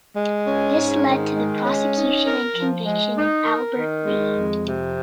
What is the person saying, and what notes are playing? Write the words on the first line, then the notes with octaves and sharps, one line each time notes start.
This led to the prosecution and conviction of Albert B.
G#3
C#4
G#2
D#3
G#3
C#4
D#4
A#4
F3
G#3
D#4
A#4
D#3
G#3
F2
C3